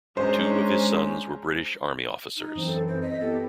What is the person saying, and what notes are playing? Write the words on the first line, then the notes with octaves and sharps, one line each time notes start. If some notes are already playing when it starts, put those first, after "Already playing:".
Two of his sons were British Army officers.
G#3 C#4 D4 C5 A#5
D#4
F#2 E3 C4
A4
C5
D#5 A#6 B6
B3 E4 G4 A4